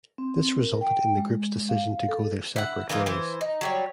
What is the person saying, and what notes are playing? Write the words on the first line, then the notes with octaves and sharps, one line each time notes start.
This resulted in the group's decision to go their separate ways.
C4
A#4
G5
G#3
F5
A4
E4 F#5
E3 A#3 D#4 F4
E3 C5
D#4
F#3 G3 C#5